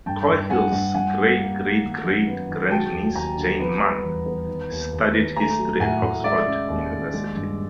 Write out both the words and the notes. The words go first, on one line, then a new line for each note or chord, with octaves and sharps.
Coghill's great-great-great grand-niece, Jane Mann studied History at Oxford University.
G2 G5 A5
G2
G2 F#5 G#5
G2
G2 F#5 G#5
G3
A#3
A#3
D#3
F#2
B3
D#3
F#3 G5 A5
D#2
D#2 G#5 A#5
D3
B3
G3
E2
B3
D#3
D#2
D#2
D#2
A3 G#5 A#5
F#3
A2 F#5 G#5
A2
G#3 D5 E5
C#3
D#2
D#2
G#3
G2